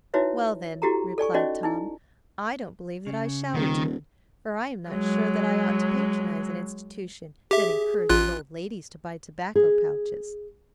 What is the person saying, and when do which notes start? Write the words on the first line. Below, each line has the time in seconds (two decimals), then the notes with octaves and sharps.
"Well, then," replied Tom, "I don't believe that I shall return, for I am not sure that I ought to patronize an institution that encourages old ladies to buy tobacco pouches."
0.14 D#4 E4 F#4 B4 C#5 E5
0.82 E4 F#4 G4 A4 A#5
1.18 A4 D5 G#5 C#6
1.34 C#4 D#4 F#4 C5 D5 D#5
1.63 D#4 E4 G#5
3.07 C#3
3.54 D#1 D#3
4.90 F#3 G#3
7.51 G4 G#4 E5
8.09 A1 F4 F#6
9.56 G#4